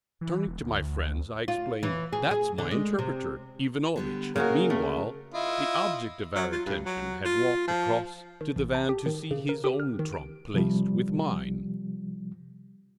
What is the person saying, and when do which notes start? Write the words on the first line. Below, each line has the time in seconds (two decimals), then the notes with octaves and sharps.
Turning to my friends, I explained, "That's my interpreter, Ivanovitch." Meanwhile, the object of our attention had walked across to the van to see his own trunk placed with mine.
0.21 E3
0.47 E1
0.63 D2
1.48 F4
1.83 E3
2.13 G#4
2.31 G#4
2.58 D3
2.71 G#3
2.99 C3
3.96 D3 G3 B3
4.36 C#3 A#3 C#4 F#4 G#4 A#4
4.70 A3
5.34 E4 F4 D#5
6.35 F#3
6.52 F4
6.66 G2
6.86 F#3
7.25 F4
7.67 F3
8.41 D#3
8.56 A1
8.75 A5
8.89 G4
9.06 D#3
9.31 C#3
9.49 A#4
9.64 G4
9.80 F6
9.99 D#3
10.12 D7
10.54 C3 F3 G3